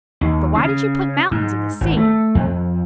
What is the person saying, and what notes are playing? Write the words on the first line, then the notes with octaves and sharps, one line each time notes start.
"But why did you put mountains in the sea?"
D#2
C#3
G#2
G#1
A3
F2